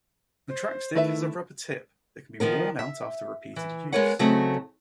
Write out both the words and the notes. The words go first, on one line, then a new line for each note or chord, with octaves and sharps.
The TrackStick has a rubber tip that can be worn out after repeated use.
C5
D#3 A3 E4 B4 E5
D#3 F3 B3 A#4
E5
E3
G#3 B3 A#4 B4 C#5 F#5
C#3 F#3 A3 C4 D#4 F#4